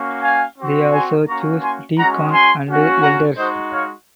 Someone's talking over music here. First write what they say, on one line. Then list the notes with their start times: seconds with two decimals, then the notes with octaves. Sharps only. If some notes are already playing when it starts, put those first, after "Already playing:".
They also chose deacons and elders.
Already playing: A#3 C#4 F#4
0.22 F5 G#5
0.58 C4 F#4
0.93 G#5 C6
1.28 A#3 C#4 F#4 A#5 C#6
1.63 G#5 C6
1.97 G#3 C#4 F#4 F#5 A#5
2.32 G#5 C6
2.68 A#3 C#4 F#4
3.02 F#5 A#5
3.37 G#3 D#4 F#4 C5 D#5
3.73 C#5 F5